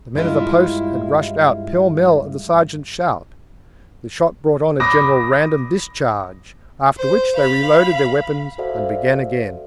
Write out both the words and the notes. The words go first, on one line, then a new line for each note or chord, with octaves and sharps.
The men of the post had rushed out pell-mell at the sergeant's shout; the shot brought on a general random discharge, after which they reloaded their weapons and began again.
G2 G#3 E4 F4
B5 D6 D#6 A#6
C5
F5 B5
F#4 A4 C5 D5 E5 F5